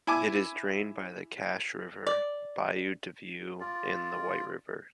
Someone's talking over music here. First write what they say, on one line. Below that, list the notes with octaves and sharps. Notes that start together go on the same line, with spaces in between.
It is drained by the Cache River, Bayou DeView, and the White River.
E4 G#5 D6
D5
F4 D5